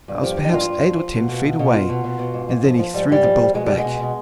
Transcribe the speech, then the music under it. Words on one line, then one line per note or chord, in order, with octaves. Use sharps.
I was perhaps eight or ten feet away--and then he threw the bolt back.
G2
F3 G4
F3
D#4
G2 F4
G2
F3
F3
B2
B2
B2
B2
B2 F4
B2
B2
B2
G#2
G#2
F3
F3
G#2 G3
G#2 G3
F3
F3
B2 G#3
B2 G3
G#3
B2
B2